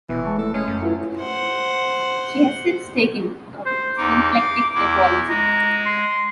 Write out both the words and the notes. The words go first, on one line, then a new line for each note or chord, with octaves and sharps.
She has since taken up symplectic topology.
F1 B2 E3
G#3 A5 C#6
A3 A4
G#3 C#4
F#2
E4 F4 B4
C5 F#5
C5
E2 D#4 D6
F5
E2 E4
G#3 A#5
C6